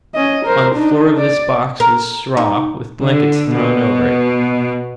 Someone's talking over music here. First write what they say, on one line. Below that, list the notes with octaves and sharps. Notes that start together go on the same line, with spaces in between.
On the floor of this box was straw with blankets thrown over it.
C#4 D#5
A#4 C5
D4 D#4
D5
A#4
D#4
D3
B2